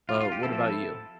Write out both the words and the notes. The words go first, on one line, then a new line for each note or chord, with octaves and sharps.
But what about you?
F4
F4
G4
F3 C4 E4 A4